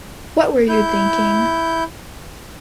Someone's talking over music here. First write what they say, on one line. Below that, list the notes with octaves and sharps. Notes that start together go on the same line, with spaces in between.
What were you thinking?
E4 G6